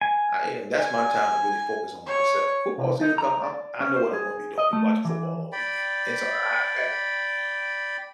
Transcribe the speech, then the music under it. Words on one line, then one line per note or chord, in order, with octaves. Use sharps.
I you know, that's my time to really focus on myself. Football season come, I'm I know what I'm gonna be doing, be watching football all weekend and so, I Yeah,
G#5
G#5
C#5
C3
D#4
A#5
D5
C#4
C5
G#4
D#5
A3
E3
D5 G5 B5